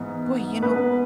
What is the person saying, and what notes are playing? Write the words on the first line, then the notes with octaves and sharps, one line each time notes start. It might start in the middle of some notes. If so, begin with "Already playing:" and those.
Boy, you know
Already playing: G#2 E3 B3
B3 B4
B3 B4